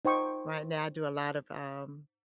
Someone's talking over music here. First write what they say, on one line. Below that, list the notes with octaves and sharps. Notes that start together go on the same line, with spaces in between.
right now I do a lot of, um,
D#4 C5 G5 C#6 D#6